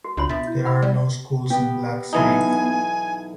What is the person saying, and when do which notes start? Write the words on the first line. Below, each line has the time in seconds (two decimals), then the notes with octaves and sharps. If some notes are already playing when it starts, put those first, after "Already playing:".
There are no schools in Black Snake.
0.04 F#4
0.17 C#2 D4 F4 F#4 C#5 B5 F#7
0.29 B2 E5 A6 B6
0.47 E4 G6
0.65 F#5 B5 E6
0.82 G3 D5
1.50 B3 G4
2.13 B1 E3 D#4 G#5